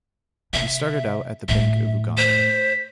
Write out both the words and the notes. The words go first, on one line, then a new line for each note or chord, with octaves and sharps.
He started out at the Bank of Uganda.
C3 E5
A2 A3 E5
C5 B6